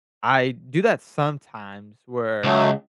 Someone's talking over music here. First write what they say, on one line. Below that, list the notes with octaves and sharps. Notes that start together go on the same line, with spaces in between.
I do that sometimes where
C#2 F#3 A3